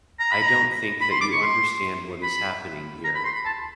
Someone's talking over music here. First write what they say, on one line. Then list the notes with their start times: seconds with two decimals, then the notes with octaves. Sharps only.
I don't think that you understand what is happening here.
0.20 A#5
0.32 B5
0.43 A#5
1.01 B5
1.11 C6
1.21 D6
1.32 C#6
1.42 C6
2.23 B5
3.04 A#5
3.15 B5
3.25 C6
3.35 B5
3.45 A5